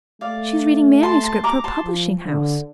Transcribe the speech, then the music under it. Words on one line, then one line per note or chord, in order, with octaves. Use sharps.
She is reading manuscript for a publishing house.
A3 D5 F5
A5 C6
A5 C6
A#5 D6
A5 C6
F3
D3